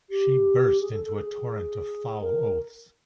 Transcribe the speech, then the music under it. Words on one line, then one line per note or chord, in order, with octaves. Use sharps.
She burst into a torrent of foul oaths.
G4
G#4
A4
A4
G#4
A#4